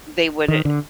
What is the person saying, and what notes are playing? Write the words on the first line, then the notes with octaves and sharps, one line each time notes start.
they would i
D#3
D3